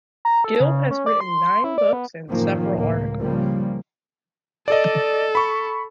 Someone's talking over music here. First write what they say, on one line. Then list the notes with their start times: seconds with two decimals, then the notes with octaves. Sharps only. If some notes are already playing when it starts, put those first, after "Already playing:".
Gilb has written nine books and several articles.
0.25 A#5
0.44 A4
0.60 C#3
0.91 C#4
1.06 D5
1.21 C6
1.64 E4
1.78 D5
1.93 B3
2.30 F#1 A2 D#3 F3 A#3 C#4
2.75 C#2 A2 A#3
3.19 C#3 F3 G3 A#3
4.68 A4 D5 D#5
5.35 B5 C#6